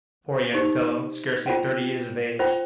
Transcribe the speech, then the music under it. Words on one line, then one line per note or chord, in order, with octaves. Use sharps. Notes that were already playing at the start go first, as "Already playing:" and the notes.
"Poor young fellow--scarcely thirty years of age!"
D#4 G4 C5
F4 C5 G5
F4 C5 G5